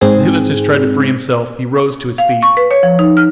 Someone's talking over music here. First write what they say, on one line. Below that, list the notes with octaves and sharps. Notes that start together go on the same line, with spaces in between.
The hypnotist tried to free himself; he rose to his feet.
G#2 C4 G#4
F5
C#6
B4
C#5
F3
D#4
F6